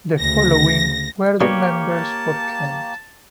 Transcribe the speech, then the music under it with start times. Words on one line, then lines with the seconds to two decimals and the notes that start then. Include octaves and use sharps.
The following were the members for Kent.
0.19 D2 C#3 A#6
1.41 B2 A#3 D4 G4 C#5
1.93 A5